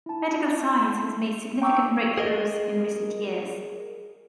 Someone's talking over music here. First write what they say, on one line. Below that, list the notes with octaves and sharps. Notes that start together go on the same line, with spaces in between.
Medical Science has made significant breakthroughs in recent years.
E4 A5
G5 A#5 C#6 D6 E6
G#4 A#4 D#5